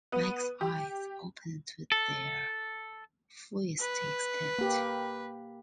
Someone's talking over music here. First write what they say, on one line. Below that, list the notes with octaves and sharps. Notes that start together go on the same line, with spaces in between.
Mike's eyes opened to their fullest extent.
B3
G4
A4
B4
A#3 G4